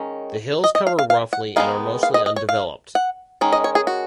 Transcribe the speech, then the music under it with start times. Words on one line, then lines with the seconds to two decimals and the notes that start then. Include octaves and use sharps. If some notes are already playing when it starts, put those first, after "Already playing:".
The hills cover roughly and are mostly undeveloped.
Already playing: D#3 G#3 C#4
0.64 D#5
0.75 D#5
0.87 F5
0.99 F5
1.10 F5
1.33 F#5
1.56 D#3 G#3 B3 D#4 F5
2.03 F5
2.14 D#5
2.26 D#5
2.36 C#5
2.49 F5
2.95 F#5
3.41 D#3 G#3 C#4
3.53 D#5
3.64 C#5
3.75 G#4
3.87 F#4